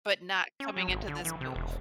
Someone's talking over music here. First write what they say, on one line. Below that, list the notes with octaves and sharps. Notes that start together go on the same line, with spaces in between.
But not coming into this move.
C#4
F#3
G#1
D3
E3
C3
E1